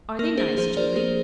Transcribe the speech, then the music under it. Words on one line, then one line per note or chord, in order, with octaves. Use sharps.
"Are they nice, Julie?"
A#3 A#4
D4 G#4 C5
F3 G#4 C5
F3 A#4 D5
A#3 G#4 C5